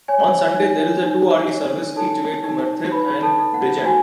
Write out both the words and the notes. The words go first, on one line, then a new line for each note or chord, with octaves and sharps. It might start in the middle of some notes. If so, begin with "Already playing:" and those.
On Sunday, there is a two-hourly service each way to Merthyr and Bridgend.
C#5 G#5
D#4
D#4
C#5
D#4 A4 A5
D#4
D#4 B4 B5
A4 A5
A4
F#5
F#4 G#5